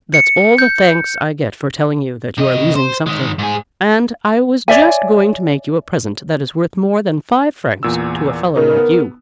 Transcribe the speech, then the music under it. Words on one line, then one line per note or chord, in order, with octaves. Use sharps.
"That's all the thanks I get for telling you that you are losing something, and I was just going to make you a present that is worth more than five francs to a fellow like you."
C#7
G6
C3 D#5
C5
D#3 G#3
G#2 G#4
C#5 D5 E5 G#5
E2 A#2 E6
C#3 D#4 A#4
B3